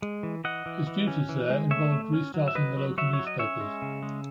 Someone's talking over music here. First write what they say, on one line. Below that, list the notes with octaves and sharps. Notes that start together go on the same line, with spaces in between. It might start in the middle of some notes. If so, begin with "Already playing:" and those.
His duties there involved restarting the local newspapers.
G#3
E3
E3 D#5 F#5
E3
E3
C#4
E3
G#3
A3 C#5 E5
A3
C#4
F#3
E5
F#3 B4 D#5
F#3
F#3 C#5 E5
C#5
F#3
D#5
C#4 C#5 E5
G#3
C#3
G#3